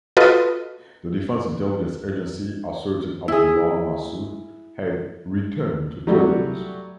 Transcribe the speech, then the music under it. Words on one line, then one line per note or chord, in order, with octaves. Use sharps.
The Defense Intelligence Agency asserted Abdullah Mahsud had "returned to terrorism".
F4 F#4 A4 B4 D#5
E4 G#4
F#3 G3 A3 F#4